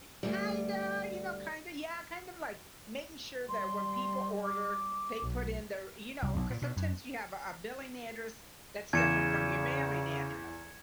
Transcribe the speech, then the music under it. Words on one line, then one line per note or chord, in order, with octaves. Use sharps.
Y kinda, you know, kinda yeah, kind of like making sure that when people order, they put in their you know, 'cause sometimes you have a a billing address that's different from your mailing address,
D2 G3
G3 C6
D6
B1
C2
B1
A#2
B2
F#2
E2 C#3 G#6 C#7 E7